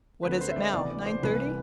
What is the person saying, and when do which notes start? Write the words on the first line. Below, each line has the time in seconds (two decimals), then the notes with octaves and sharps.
What is it now--nine thirty?
0.23 D2 D3 A3 C4 B4
0.41 C5
0.51 E5
0.56 D5
0.73 D2 C3 E3 B3 D5
0.90 D5
1.06 C5
1.23 C2 C3 E3 B3 B4